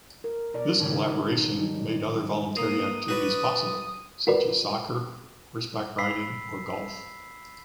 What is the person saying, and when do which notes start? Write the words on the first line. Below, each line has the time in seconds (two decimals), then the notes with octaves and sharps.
This collaboration made other voluntary activities possible, such as soccer, horseback riding or golf.
0.24 A#4
0.54 B2 A#4 D5
0.80 G#1 C#3
1.59 F#3 G3 D#4
2.57 A#3 D#6
3.08 F#4 B4 D5
4.27 F4 F#4 A#4 B4 D5
5.98 B5 E6 B6 C7